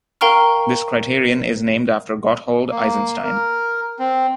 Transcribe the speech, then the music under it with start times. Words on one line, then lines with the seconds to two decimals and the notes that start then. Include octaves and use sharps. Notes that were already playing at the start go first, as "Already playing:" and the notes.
This criterion is named after Gotthold Eisenstein.
0.21 A#4 F5 G5 A#5 C#6 F6
2.71 A#3
3.24 A#4
3.99 C4